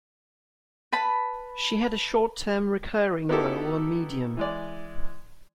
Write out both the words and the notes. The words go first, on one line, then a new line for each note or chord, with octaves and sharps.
She had a short term recurring role on "Medium".
B4 A5 B5
B3 D#4 E4 F#4 G4 A4
E3 G#3 D5